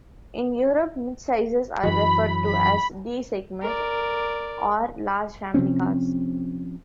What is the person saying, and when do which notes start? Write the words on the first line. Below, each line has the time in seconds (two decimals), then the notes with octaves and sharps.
In Europe mid-sizers are referred to as D-segment or large family cars.
1.84 F#2 E3 F#3 B5
2.44 B5
3.62 A#4 D5
5.54 C3 F3 C4 C#4